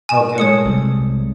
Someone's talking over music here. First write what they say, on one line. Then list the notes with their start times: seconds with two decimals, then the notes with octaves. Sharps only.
Okay, okay.
0.09 G#5 E7
0.38 G#3 A3 C#5 D#6 C#7
0.66 C2